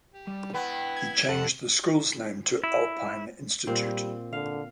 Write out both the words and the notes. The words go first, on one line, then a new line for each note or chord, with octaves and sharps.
He changed the school's name to Alpine Institute.
G4
G3
B3 E4 B4 G5
G#6
F2 A4 F#5
E4
A#2 G3 C4
D3 F5